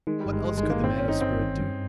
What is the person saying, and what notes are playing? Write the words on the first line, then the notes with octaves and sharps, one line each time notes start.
What else could the man of spirit do?
D#3 G#3
G3
G1
G#3
G1 G#3
G#3
D#3
A#3
G1 C4
C#4
G1
D#4
G1 C4
D#3
G2